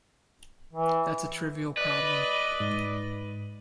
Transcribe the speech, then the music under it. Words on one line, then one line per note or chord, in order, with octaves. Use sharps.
That's a trivial problem.
E3
B4 D5 D#5
G#2